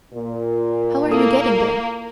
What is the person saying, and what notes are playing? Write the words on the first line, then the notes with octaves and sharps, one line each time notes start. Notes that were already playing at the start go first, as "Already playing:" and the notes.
"How are you getting there?"
A#2
A#3 E4 A4 D#6